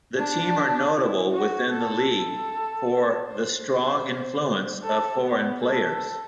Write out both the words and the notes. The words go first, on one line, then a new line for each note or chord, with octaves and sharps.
The team are notable within the league for the strong influence of foreign players.
D4
E4
F#4
A4
C5
A4
B3
A4